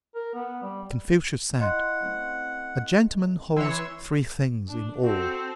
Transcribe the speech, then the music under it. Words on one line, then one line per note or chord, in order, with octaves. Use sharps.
Confucius said, A gentleman holds three things in awe.
A#4
B3
G3
E4 D#5 F5 F#5 C6 F#6
A3 C4 C#4
E3 C#5 C6 E6
D4
C4 F#4 A4